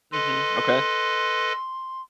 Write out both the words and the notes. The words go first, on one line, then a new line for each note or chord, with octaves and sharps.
Mhm. Okay.
A4 B4 D#5 C6